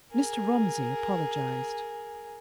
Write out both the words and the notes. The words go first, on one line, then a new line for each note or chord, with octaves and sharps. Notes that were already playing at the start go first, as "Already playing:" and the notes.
Mr. Romsey apologized.
G#4 A#4